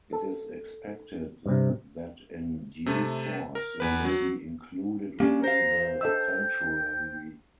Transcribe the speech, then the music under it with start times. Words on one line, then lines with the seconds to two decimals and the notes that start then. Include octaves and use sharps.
It is expected that in due course they will be included within the sanctuary.
0.13 A4
1.46 G2 C3
2.86 C3 A3
3.55 A#4
3.80 E2 B4
4.05 F#3
5.20 A#3 C#4 D4 G4
5.44 C5 F5 A#5
6.01 A4 D#5 G5 E6